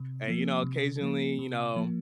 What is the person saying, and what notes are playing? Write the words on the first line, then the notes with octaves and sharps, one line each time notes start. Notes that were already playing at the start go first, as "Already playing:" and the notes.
and, you know, occasionally you know,
Already playing: C3
F3 A#3
C3
F3 A#3
C3
F3 A#3